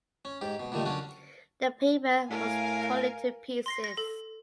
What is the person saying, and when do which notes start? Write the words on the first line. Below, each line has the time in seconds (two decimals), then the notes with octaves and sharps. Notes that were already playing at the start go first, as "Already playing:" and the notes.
The paper was torn into pieces.
0.25 C#4
0.41 G#2 G4
0.60 B2
0.72 A#2 D3 D#3 G3 A3
0.86 D3 F#3 C#4 D4
2.30 A2 A#4 F5 G#5
3.66 C6 A#6 C7
3.84 A#6
3.97 A4